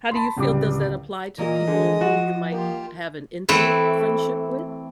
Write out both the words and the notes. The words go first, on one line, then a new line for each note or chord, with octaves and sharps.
How do you feel does that apply to people who you might have an intimate friendship with?
A5 B5 C6
D1 C#2 G3 G4 D6
A#2 E3 A#4 D#5
D3 G#3
F3 F#4
A#3 F4 G4
E3 A3 C4 B4